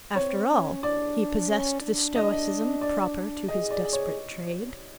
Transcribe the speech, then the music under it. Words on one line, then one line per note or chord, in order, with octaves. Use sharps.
After all, he possessed the stoicism proper to his desperate trade.
C4 C#5
C#4
D4 D5
C#4
D4
D#5
D5
G#4 D#5
D5
C#5